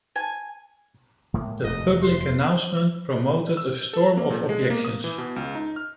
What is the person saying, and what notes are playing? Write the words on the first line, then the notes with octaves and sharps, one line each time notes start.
The public announcement prompted a storm of objections.
G#5
A2 G#3 A#3
F1 D#2 A3 D#5
C6
E6
A4
A#3
A#2
G#3
A#3
D#6
E3
B2
C#2
D#4
F6